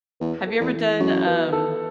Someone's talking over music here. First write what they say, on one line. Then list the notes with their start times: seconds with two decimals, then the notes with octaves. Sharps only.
Have you ever done, um
0.20 E2 B3
0.47 A4
0.60 E2
0.73 E3
1.00 F#2 F#4
1.26 B3
1.52 A4